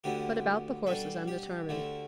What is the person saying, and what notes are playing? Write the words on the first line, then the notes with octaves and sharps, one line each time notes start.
But about the horses I'm determined.
D2 D3 B3 D4 G4
B2 G3 D4 A4
G4
D2 D3 A3